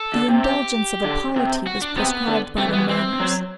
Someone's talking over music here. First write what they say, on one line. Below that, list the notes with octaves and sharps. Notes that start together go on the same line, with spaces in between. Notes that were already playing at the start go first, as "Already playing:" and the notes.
The indulgence of the polity was proscribed by the manners.
Already playing: A4
D3
C3
G4
D3
C3
F#4
D4
C3 B3
D3
C3 A3
E3
B3
E3
E3 C4
F#3